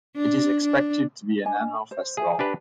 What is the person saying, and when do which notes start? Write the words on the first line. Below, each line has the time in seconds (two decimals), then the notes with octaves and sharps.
It is expected to be an annual festival.
0.16 D4
0.63 D4
1.45 D4 D#5 G#5
1.91 C5
2.17 G#4 C5 E5 G#5
2.39 D4 G4 B4